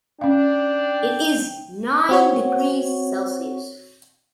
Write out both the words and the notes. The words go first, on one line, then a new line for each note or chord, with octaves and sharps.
It is nine degrees Celsius.
C#4 D4 F5 G5
C4 F#4 C#5